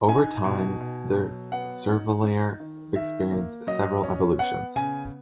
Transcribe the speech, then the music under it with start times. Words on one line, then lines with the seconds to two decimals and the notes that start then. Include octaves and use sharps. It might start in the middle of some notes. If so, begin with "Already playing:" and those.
Over time, the Cervelliere experienced several evolutions.
0.08 D#4 G#5
0.44 B2
0.81 B2
1.16 F#3
1.52 B3 F#5
1.89 D#4
2.24 D#4
2.60 D#3
2.96 D#3 E5
3.32 A#3
3.67 F#3 D#5
4.03 C#4
4.39 B3 F#5
4.76 C#3 G#5